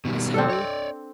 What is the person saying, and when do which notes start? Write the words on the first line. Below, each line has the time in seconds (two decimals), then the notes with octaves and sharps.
"As how?"
0.05 B2 D#3 G3
0.34 C4 D4 A4
0.50 C#5 D5